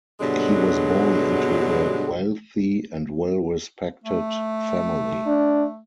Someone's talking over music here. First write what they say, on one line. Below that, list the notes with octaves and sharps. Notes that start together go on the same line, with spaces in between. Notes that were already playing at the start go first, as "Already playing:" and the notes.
He was born into a wealthy and well respected family.
G2 B2 D3 F#3 G#3 D4
A3
D4